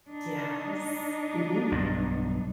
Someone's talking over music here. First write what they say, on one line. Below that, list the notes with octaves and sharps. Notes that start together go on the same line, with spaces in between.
Yes. Mhm.
D4 D#4
B1 G2